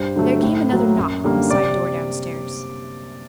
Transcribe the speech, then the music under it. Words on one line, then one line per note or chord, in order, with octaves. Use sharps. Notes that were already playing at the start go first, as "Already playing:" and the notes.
There came another knock on the side door downstairs.
Already playing: G2 C5
D3 F#3 A3
A2
F#3 A#3
F#2
D3 G3 A#3
C3 D5